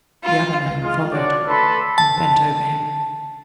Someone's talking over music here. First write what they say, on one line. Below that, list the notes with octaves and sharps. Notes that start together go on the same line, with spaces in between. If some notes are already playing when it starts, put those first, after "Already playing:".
The other man followed, and bent over him.
F4
G#3 F4
D4 F#4 C#5 D5
A3 A4 B4 A5 B5 C6
A5